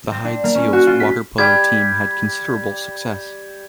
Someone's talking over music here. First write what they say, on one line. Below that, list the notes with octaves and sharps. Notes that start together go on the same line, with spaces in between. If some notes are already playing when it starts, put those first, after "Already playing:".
The Hyde Seals water polo team had considerable success.
C4
D4
A#3
C#4
F#4
F4
B6
G3 G4 G#6